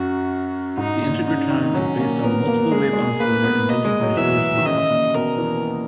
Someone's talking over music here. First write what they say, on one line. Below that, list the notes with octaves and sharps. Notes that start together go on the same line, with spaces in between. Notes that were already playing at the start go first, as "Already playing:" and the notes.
The Integratron is based on the Multiple Wave Oscillator invented by Georges Lakhovsky.
Already playing: F#2 F#4
G#2 D#4
A#2
C#3 D#4
D#3
F#3 C#4
A#3
B3 A#4
A#3
G#3 G#4
A#3
G#3
A#3 B4
B3
A#3 D#5
G#3
F#3
E3 E5
D#3
C#3 D#5
A#2
B2 A#4
E3